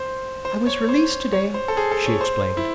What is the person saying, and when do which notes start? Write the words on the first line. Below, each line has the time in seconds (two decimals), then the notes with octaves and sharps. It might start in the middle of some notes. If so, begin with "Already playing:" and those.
"I was released to-day," she explained.
Already playing: C5
0.45 C5
0.67 C#5
0.89 C5
1.33 C#5
1.54 C5
1.68 A4
1.77 G#4
1.92 A4
2.06 C#5
2.21 C5
2.57 E4